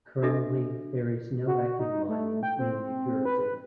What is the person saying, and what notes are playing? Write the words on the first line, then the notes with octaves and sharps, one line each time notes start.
Currently, there is no active mining in New Jersey.
D4 F#4 G4 A4 D#5 E5
F#4
D#4
A3
G5
C4
B4